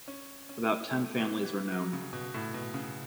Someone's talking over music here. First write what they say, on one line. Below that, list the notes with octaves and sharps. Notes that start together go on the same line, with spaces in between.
About ten families are known.
C#4
C#4
A3
E3
E3
F#3
C#3
B2
A2
B2
C#3